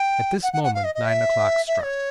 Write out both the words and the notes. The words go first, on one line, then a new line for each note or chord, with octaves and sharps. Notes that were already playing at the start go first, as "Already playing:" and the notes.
At this moment nine o'clock struck.
Already playing: G5
F#5
F#5
F#5
F5
D#5
D#5
E5
E5
C#5